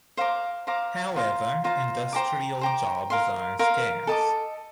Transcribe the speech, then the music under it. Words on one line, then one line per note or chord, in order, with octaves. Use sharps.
However, industrial jobs are scarce.
C5 F5 A#5 D6
C5 F5 A#5 D6
F4 C5 F5 A#5
F4 C5 F5 A#5
C5 G5 A#5 D6
C5 G5 A#5 D6
A#4 F5 C6
A#4 F5 C6
A4 D#5 A5 D6